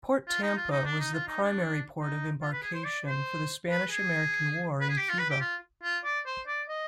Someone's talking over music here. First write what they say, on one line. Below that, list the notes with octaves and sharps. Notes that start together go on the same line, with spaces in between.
Port Tampa was the primary port of embarkation for the Spanish-American War in Cuba.
F4
D#4
F4
D#4
D4
D#4
F4
D#4
D4
D#4
F4
B4
G#4
C5
D5
C5
B4
G#4
B4
G#4
G4
F4
B4
G4
F4
F4
D5
C5
D5
D#5